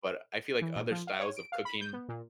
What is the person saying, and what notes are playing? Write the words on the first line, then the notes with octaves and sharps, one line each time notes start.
But I feel like other styles of cooking
E3
A#2
F3
F5
C#5
D7
F5
B5
G6
B3
A#2